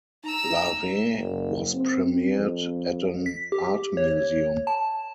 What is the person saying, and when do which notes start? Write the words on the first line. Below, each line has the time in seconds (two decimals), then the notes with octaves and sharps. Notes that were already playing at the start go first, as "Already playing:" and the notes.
"Larvae" was premiered at an art museum.
0.24 D#4 A#5 E6
1.16 F#1
1.74 C4
2.36 F2
3.26 B6
3.52 G4
3.97 C#5
4.67 A5